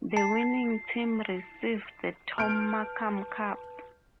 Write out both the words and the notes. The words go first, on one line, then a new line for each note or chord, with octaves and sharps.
The winning team receives the Tom Markham Cup.
A5 C7
B4 A5 F6 G6 D7